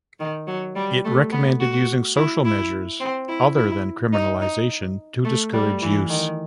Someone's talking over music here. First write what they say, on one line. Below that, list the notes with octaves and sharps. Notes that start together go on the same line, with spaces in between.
It recommended using social measures other than criminalisation to discourage use.
D#3
F#3
G3
A3
B3
F#4
E4
E4
C4
E4
E4
D#4
D#4
A3
G3
E3
D#3